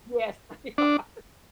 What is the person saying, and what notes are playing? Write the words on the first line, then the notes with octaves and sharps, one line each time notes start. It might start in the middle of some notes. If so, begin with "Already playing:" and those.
Yes. They are.
D4